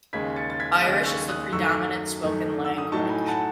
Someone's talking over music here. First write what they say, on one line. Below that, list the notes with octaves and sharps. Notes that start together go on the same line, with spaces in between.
Irish is the predominant spoken language.
D#2 C#3 G#3 G#6 B6
A6 C#7
A6
G#6 B6
D#2 C#3 G#3 F#6 A6
C#6 E6
D#6 F#6
F#2 D#3 A3 C#6 E6
F#2 D#3 A3
E6
D#6
A2 F#3 A3 D#4 A5 C#6
G#5 B5
B5
F#5 A5